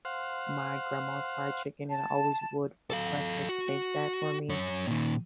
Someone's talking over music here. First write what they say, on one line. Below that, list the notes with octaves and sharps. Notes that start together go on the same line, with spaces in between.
my grandma's fried chicken, and I always would request her to make that for me
C5 F5 F#5
A5
A4 F5
F#4
F#2 C#5
A#2 D#3